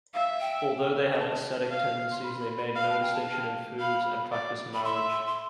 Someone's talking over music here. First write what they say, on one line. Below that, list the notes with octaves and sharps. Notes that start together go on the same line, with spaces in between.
Although they had ascetic tendencies, they made no distinction in foods and practiced marriage.
E5 F5
G5
G5
A5
F5
C6
B5
B5
B5
F5 B5
A5
G5
A5
F5
F5 B5
D5
B5
E5 C6
C6
C6